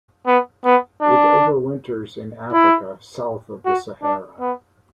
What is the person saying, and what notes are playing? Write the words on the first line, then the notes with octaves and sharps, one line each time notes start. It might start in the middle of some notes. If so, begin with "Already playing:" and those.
It overwinters in Africa south of the Sahara.
B3
B3
D4
E4
F#4
D4
B3